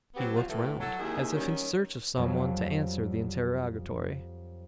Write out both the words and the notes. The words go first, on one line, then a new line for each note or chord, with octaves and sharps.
He looked round, as if in search of some one to answer the interrogatory.
F#3 B3 C4 G4
F3 G3 F4 F#4
A2 E3 A3
F#3 A4
D#2 D#3 E4 G#4
D#3 F#3 G3 C#4
F2 F#3 G3